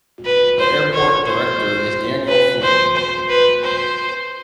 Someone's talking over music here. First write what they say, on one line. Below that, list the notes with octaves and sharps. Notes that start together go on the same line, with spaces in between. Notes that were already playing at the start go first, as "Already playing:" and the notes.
The airport director is Daniel Flynn.
B4
C5
C#5
C5
B4
C5
C5
B4
C5